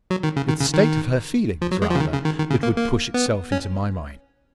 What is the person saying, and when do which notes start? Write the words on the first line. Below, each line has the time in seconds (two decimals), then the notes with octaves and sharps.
It was the state of her feelings rather that would push itself into my mind.
0.10 F#3
0.23 D#3
0.36 C#3
0.48 D#3
0.61 C#3
0.74 D#3
1.62 F3
1.72 F#3
1.82 G#3
1.90 F3
1.95 C#3
2.00 D#3
2.13 C#3
2.25 D#3
2.38 D#3
2.50 C#3
2.63 A#3
2.76 A#3
3.14 B3
3.52 C#4